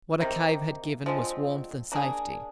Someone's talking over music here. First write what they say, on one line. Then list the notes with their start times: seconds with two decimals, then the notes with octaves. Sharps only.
What a cave had given was warmth and safety.
0.20 C3 D#3 A#3
1.06 D3 F3 G#3 C4
1.92 A#3 D4 G#4